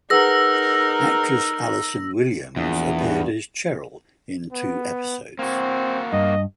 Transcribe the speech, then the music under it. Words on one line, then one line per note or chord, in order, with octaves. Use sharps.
Actress Allison Williams appeared as Cheryl in two episodes.
D#4 G#4 A#4 B4 F#5 E6 A#6
A#1 E2
G2
B3
A#3 C4 F#4
G2 D#5